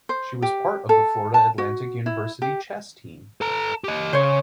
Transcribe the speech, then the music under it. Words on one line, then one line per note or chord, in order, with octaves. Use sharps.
She was part of the Florida Atlantic University Chess Team.
C5
G4
A4
A5
F#4
E4
G4
A4 A#5
G4 D#5
C#3 C5 C#5